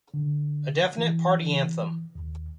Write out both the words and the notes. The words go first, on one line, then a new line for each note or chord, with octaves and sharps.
A definite party anthem.
D3
E3
D#2